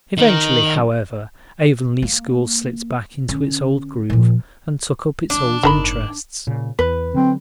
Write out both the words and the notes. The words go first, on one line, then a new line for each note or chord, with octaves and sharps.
Eventually, however, Avonlea school slipped back into its old groove and took up its old interests.
D#3
A#3
D3 C#4
A#2 F3
D#2 E3 D4
F#1 G#2 D#3 A5 B5
A#2 C#3
E2 B4
D3 F#3 C4